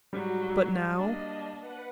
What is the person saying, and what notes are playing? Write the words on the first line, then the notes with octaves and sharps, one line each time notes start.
But now?
G#2 F#3 G3 F#4
A#3 D4 D#5
B4 F#5